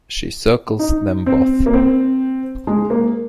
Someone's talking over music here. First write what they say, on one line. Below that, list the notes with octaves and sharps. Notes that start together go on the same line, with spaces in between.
She circles them both.
D#4
C4
A#3
C4
G#3
A#3